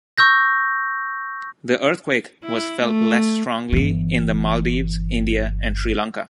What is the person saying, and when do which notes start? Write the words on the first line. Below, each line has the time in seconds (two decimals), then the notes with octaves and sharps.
The earthquake was felt less strongly in the Maldives, India, and Sri Lanka.
0.18 C#6 E6 G6 A#6
2.44 E4
2.83 A3
3.72 G1 E3